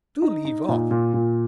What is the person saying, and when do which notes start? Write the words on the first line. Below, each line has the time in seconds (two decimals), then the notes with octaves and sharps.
Do leave off!
0.22 D#4
0.45 D#4
0.68 A#2
0.91 A#2
1.14 A#2